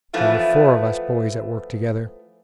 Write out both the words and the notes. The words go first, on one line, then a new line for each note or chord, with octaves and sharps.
There were four of us boys at work together.
E3 F3 A3 B3